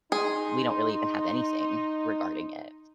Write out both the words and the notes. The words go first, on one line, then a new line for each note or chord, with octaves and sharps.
we don't really even have anything regarding it.
D#4 G#4 C6